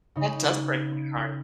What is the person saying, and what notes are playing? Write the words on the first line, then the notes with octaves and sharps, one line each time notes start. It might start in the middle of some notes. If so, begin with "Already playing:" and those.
That does break my heart.
C#3 D#4